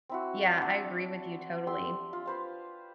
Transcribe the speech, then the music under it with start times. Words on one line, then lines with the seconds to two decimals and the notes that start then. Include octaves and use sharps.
Yeah, I agree with you totally.
0.09 C4 E4 F#4
0.62 D4 D5 F#5 E6
1.67 G4 C6 E6
2.13 F4
2.26 B4 C5 F5